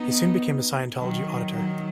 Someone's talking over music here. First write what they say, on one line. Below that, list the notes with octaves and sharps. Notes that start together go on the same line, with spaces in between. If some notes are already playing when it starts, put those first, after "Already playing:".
He soon became a Scientology auditor.
Already playing: B3 D#4
D#3 F#3
D#3 F#3